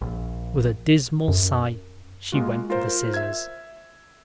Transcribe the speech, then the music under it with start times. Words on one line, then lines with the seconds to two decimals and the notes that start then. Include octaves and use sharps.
With a dismal sigh she went for the scissors.
0.01 A#1
1.28 F#2
2.32 G#3 A#3 F4 F#4
2.70 F4 A#4 C5
3.14 E5 G#6